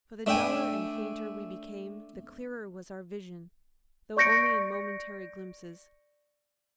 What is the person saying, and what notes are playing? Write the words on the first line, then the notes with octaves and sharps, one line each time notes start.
For the duller and fainter we became the clearer was our vision, though only in momentary glimpses.
A3 D4 E5 G5 G#5
D5 C#6 G6 A#6 C#7 D7